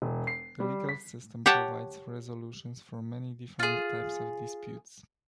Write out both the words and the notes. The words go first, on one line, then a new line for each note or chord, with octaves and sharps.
The legal system provides resolutions for many different types of disputes.
E1
C7
G3
B6
G4 C#5 F#5 G5 A5
F4 G#4